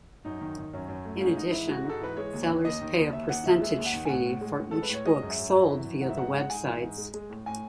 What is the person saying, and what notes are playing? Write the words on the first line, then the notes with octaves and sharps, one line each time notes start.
In addition, sellers pay a percentage fee for each book sold via the websites.
F#2 D#4
D#3
D#3
F#2 C#4
F#2
A3
G#2 C#4
G#2 D#4
E3 E4
G#3 F#4
G#2 A4
E3 B4
G#3 C#5
D#2
D#3
D#2 D#5
D#3
D#2
D#2 E5
D#2 F#5
D#2 E5
G#3 E5
D#2
F#5
D#3
G#5
A2 F#5
A2
G#3
A2
G#3 A4
B4
A2 C#5
G#3 D#5
F#2
E5
F#2
F#2
E3
F#2
G#2 F#5
E5
G#2 F#5
G#3
F#5
G#2 G#5
E3
G#2
G#3
G#3
A2
A2 G#5